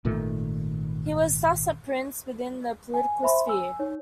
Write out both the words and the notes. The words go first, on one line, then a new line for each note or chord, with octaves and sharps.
He was thus a prince within the political sphere.
G#1 A#2 D#3 A3
G#5
C5 E5 B5 C6
G#5 E6
D#4 C#5